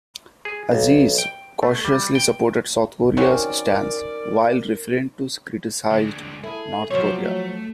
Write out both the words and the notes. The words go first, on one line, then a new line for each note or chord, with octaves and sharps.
Aziz cautiously supported South Korea's stance while refrained to criticised North Korea.
G#4
B1
G5
A3
G3
G5
D#3 F#3 C4 C#4 A#4 D5 F5
D3 G#3
E4 G#4 A4
F3 F#3 C5 C#5 E5
A3